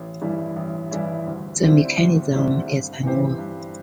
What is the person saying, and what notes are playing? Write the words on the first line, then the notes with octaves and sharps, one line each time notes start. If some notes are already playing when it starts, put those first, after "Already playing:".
The mechanism is unknown.
Already playing: A1
G2 E3 G3 E4
A1
G2 E3 G3 E4
D2
D3 G3 C4 E4
D2
D3 G3 C4 E4
G2
E3 C4 G4 C5
G2